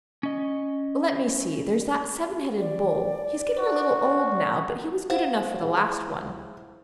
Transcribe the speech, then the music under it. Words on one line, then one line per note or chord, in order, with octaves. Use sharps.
Let me see, there's that seven-headed bull; he's getting a little old now, but he was good enough for the last one.
C#4 D#5
D5
F#4
C5 F5 F#5
E4 G#4